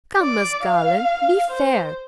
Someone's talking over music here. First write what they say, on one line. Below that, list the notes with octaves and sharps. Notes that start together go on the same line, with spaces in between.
Come, Miss Garland, be fair.
D5
F5
C5